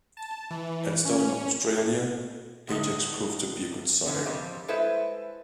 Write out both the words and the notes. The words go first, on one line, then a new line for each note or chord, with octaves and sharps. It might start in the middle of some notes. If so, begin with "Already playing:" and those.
At stud in Australia, Ajax proved to be a good sire.
A5
E3
C#4
A2 D3 F#3 C4 D#4 A#4
D3 F#3 C4 C#4
F3 G3 C4 D#5
G#3 E4 A4 B4 C5 E5